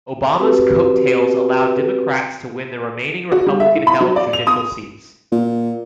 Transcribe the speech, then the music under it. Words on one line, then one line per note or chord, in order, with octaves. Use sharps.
Obama's coattails allowed Democrats to win the remaining Republican held judicial seats.
C4 F#4 G4 B4
F#4
G3
E5
E4
B5
F#3
D5
F7
D#6
A#2